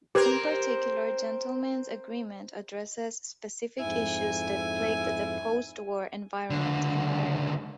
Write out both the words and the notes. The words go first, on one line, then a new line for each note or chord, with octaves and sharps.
In particular "Gentleman's Agreement" addresses specific issues that plagued the postwar environment in America.
C4 G4 A#4 B4 G#6
F2 G#2 E4 G#5
C#2 D3